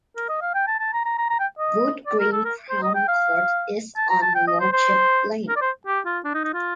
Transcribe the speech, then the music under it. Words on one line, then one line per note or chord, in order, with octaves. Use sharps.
Wood Green Crown Court is on Lordship Lane.
A#4
D#5
F5
G5
A5
A5
A#5
A#5
A#5
A#5
G5
D#5
D5
A#4
A4
A#4
C5
D#5
G5
F5
A5
A#5
A5
G5
D#5
C5
C5
A#4
D5
C5
G4
F4
D4
D#4
D#4
F4